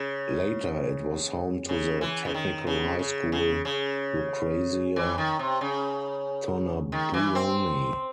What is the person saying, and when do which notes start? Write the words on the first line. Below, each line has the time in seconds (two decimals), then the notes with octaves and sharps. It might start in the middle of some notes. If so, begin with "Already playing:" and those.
Later, it was home to the Technical High School Lucrezia Tornabuoni.
Already playing: C#3
1.69 C#3
2.01 E3
2.25 C#3
2.34 D#3
2.67 C#3
2.99 C#3
3.32 C#3
3.65 C#3
4.96 E3
5.18 D#3
5.39 C3
5.61 C#3
6.92 D#3
7.14 E3
7.35 C4